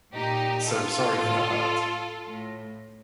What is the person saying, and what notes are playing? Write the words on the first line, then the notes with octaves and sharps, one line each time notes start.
So I'm sorry for the hurt.
A#2 D#4 G4
F4 A4
A2
A2